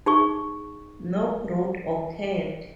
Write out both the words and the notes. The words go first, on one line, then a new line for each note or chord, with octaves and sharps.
No growth occurred.
D#4 G#4 C#6